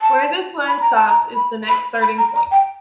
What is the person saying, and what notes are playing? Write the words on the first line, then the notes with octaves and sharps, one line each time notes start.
Where this line stops is the next starting point.
A5
B5
A#5
A5
A#5
B5
B5
B5
A#5
A#5
G5